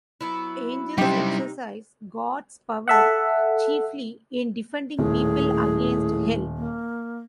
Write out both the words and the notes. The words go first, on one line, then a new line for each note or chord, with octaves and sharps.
Angels exercise God's power chiefly in defending people against hell.
F#3 B3 E4
C3 F#3 G3 C#4 D#4 E4 G4 C5
A4 E5 F#5
D#1 A2 G#4
A#3